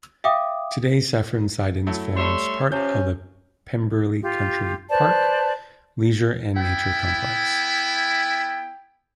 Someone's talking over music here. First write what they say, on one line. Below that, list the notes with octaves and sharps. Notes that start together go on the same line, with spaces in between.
Today Cefn Sidan forms part of the Pembrey Country Park leisure and nature complex.
E5 F5 G5 D6 D#6
F#3 A3 E4
G3 A3 C#5 E5 C6
C3 F3 C#4 G6
F4 G4
B4 C5 D5 A5
B3 E4 G5